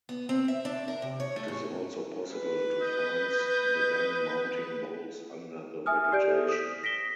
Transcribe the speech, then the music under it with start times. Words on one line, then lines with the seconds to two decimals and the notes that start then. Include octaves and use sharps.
It is also possible to finds the gun mounting bolts under the vegetation.
0.09 B3
0.29 C4
0.48 E5
0.65 D4
0.88 A#4
1.02 C3
1.20 C#5
1.36 A3
1.48 G#2
2.33 B4
2.81 D#5 G6
5.86 E5 G#5 D#6 F6
6.12 G4 D5 G6 D7
6.28 A4 C5
6.49 D#6 B6
6.83 A#6 B6 D7 E7 G7